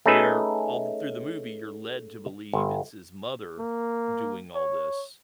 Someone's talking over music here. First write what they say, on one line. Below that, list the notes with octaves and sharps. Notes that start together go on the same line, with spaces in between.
Where all th through the movie, you're led to believe it's his mother doing all this
A3 C#4 D#4 G#4 B4 E5
G1
A#3
C#5